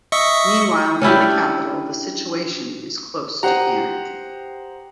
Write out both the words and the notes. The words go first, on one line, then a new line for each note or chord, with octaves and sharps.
Meanwhile in the Capital, the situation is close to panic.
D#5 E5 C#6
C#4 D4 E4 G4
G4 C5 F#5 A#5 D#6